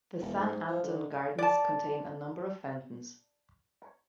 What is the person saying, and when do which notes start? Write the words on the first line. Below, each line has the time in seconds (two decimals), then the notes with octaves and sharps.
The San Anton Gardens contain a number of fountains.
0.21 E1
0.39 G#2
0.68 F3
0.83 D3
1.38 D5 A5